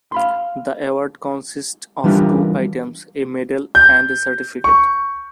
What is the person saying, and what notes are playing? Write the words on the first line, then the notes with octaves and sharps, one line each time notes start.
The award consists of two items: a medal and a certificate.
F5 B5 C6
E3 G3 D4 F4 G4 A#4
G6
C#6